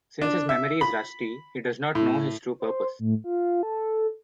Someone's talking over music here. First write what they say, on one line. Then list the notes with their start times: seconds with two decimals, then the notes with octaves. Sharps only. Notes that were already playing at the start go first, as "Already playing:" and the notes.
Since his memory is rusty, he does not know his true purpose.
0.22 D4
0.49 E5
0.81 B5
1.95 A2
2.60 C5
2.99 A2
3.24 F4
3.63 A4